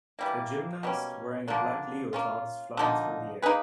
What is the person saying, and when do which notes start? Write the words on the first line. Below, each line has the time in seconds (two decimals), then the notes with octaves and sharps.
A gymnast wearing a black leotard is flying through the air.
0.19 E3 G3 A#3
0.83 B2 G3 A#3 C#4
1.48 D3 F3 A#3 D4
2.13 A#3 C#4 F4
2.77 D3 F3 A#3 D#4
3.42 A#3 D#4 G#4 B4